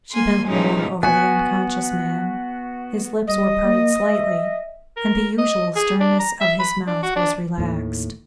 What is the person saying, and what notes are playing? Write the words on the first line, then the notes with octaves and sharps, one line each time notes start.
She bent lower over the unconscious man; his lips were parted slightly, and the usual sternness of his mouth was relaxed.
A#3 G#5 C6
A#2 E3 G3 G#3 C#4 D#4
B3 F#4 G#5
G3 D#5
A#3
E5
A#4
D#5
G#4
D4
A#5
E5
B5
D4
F#4
D4
D#2 A2